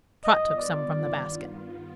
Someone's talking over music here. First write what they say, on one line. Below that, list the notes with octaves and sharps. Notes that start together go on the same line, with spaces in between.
Trot took some from the basket.
G2 D#3 B3 F4 D#5
D5